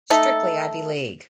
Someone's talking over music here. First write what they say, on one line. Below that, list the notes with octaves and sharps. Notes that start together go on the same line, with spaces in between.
Strictly Ivy League.
A3 D#4 A4